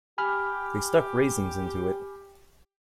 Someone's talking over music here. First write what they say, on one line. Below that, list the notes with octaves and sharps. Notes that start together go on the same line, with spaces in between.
They stuck raisins into it.
G4 G#5 B5 F6